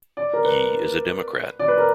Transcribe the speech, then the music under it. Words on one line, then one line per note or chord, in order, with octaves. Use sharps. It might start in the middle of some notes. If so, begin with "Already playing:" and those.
Yee is a Democrat.
D5
A#4
B4
D5
B4
A#4